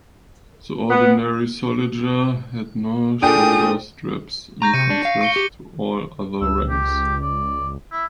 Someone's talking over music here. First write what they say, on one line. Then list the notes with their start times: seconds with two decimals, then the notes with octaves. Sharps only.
The ordinary soldier had no shoulder straps in contrast to all other ranks.
0.90 B3
3.22 A#2 D4 G#4 A4 G5 D#6
4.62 A#5 C#6 G6 A#6
4.73 C3 A#6 C#7 D#7
4.90 D4
5.05 F5
5.21 C#6 C#7 G7
5.36 G4
6.41 C#2 E6
6.69 G4
7.22 D5
7.92 E4